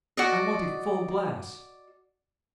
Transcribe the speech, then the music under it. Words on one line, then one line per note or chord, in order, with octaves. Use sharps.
"I want a full glass."
F#4 D5 D#5